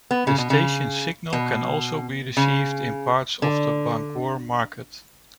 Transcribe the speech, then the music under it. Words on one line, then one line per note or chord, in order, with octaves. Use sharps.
The station's signal can also be received in parts of the Bangor market.
B3
C#3
B2
C#3
B2
C#3
D3